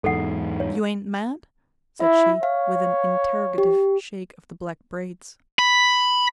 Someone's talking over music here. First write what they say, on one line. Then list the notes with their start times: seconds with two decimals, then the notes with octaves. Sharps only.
"You ain't mad?" said she, with an interrogative shake of the black braids.
0.04 E2 G#2 A4 F#5
0.60 C#5
2.00 E4 E5
2.43 C#5 F5
3.58 G4
5.59 B5